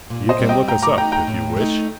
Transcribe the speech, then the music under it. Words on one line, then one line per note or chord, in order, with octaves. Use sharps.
You can look us up, if you wish.
A#2
C5 D#5
G3 C4
D#5 G5
A2 G5 A#5
A#5 D6
A3 D#4 G5 A#5
G5 A#5
A2
A3 D#4